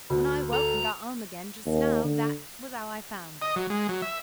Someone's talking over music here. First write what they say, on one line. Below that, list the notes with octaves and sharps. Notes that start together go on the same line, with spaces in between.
When I woke, and got home again just now, that was how I found her.
D2
A4 A#5
D#2
D3
D#5
F#3
G#3
F#3
E5